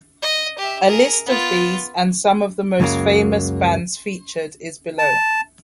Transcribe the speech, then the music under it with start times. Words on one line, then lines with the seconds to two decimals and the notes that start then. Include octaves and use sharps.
A list of these and some of the most famous bands featured is below.
0.22 D#5
0.58 G4 E5
0.87 G#4 A#4
1.26 B3 F4
2.80 C#2 F#2 C#3 F#3 A#3
4.98 A5